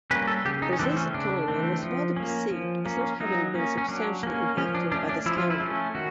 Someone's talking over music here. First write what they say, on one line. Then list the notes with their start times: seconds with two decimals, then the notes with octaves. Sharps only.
Brazil's economy was widely perceived as not having been substantially impacted by the scandal.
0.11 G3 A#3 C#4 B4
0.27 A4
0.45 C#3 G4
0.62 D#4
0.73 C#4
0.79 E3 A3 C4 D4
0.97 C#4
1.14 C#3 D4
1.48 E3 A3 C4
1.83 F3
2.17 A#3 C#4
2.51 F3
2.86 A#3 C#4
3.20 F#3 D#4
3.54 A#3 C#4
3.78 C#4
3.88 F#3 D4
4.23 A#3 C#4
4.57 F3 C#4
4.75 D4
4.92 A3 C#4 D4
5.09 D4
5.26 F3 E4
5.38 F4
5.50 E4
5.60 A3 C#4
5.95 D#3 F#4